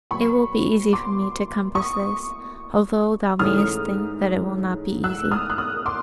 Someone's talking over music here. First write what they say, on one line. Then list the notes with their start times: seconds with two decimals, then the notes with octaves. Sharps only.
"It will be easy for me to compass this, although thou mayest think that it will not be easy."
0.11 A#2 F#3 B3 B5 C#6
0.93 C6 D6
1.75 C#6 D#6
3.39 G#2 E3 A3 C#4 D#6 F6
5.04 E6 F#6
5.31 D#6 F6
5.50 F#6
5.58 D#6 F6
5.86 C6 D6